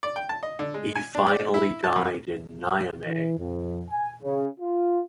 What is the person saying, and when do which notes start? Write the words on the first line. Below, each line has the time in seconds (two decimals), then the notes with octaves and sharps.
He finally died in Niamey.
0.03 D5
0.16 G5
0.29 A5
0.43 D#5
0.59 D3
0.74 G#3
0.95 G#5
1.15 D4
1.28 D5
1.54 E4
1.84 A5
1.96 F2
3.05 E3
3.38 F2
3.90 G#5
4.23 C#3
4.60 F4